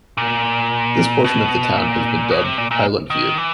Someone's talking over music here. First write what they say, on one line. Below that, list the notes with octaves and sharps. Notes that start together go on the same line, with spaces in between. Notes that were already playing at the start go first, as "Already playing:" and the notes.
This portion of the town has been dubbed "Highland View".
A#2
B2
A#2
B2
C3
A#2
A#2
D#3
E3